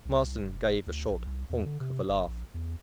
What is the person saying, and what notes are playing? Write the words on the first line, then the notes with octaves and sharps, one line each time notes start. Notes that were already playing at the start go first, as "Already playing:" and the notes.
Marsden gave a short honk of a laugh.
C2
F1
D2
A#1
C2
E2
D3
C3
F#1
A#1
E2